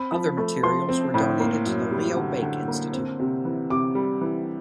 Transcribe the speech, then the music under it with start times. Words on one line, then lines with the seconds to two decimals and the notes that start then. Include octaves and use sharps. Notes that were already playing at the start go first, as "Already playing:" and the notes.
Other materials were donated to the Leo Baeck Institute.
Already playing: C4 B5
0.12 F3
0.38 A3
0.63 F3 C6
0.89 C4
1.14 A2
1.40 A#3
1.66 F#2
1.91 G3
2.16 D3
2.42 D3
2.68 A#3
2.93 C4
3.20 C3
3.45 E3
3.70 C3 D6
3.95 G3
4.21 E3